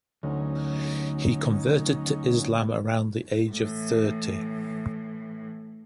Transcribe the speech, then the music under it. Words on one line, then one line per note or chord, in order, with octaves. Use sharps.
He converted to Islam around the age of thirty.
D2 F#3 C#4 D#4
A2 E3